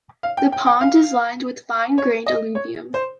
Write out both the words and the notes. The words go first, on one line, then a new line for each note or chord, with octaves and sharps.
The pond is lined with fine-grained alluvium.
F5
G5
G5
G5
F5
C#5
D#5
C#5
C5